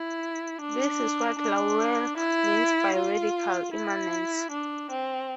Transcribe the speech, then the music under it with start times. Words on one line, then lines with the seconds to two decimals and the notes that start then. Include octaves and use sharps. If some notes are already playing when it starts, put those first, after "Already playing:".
This is what Laruelle means by "radical immanence".
Already playing: E4
0.61 D4
1.39 D4
2.18 E4
2.96 F4
3.74 E4
4.52 D4
4.91 C4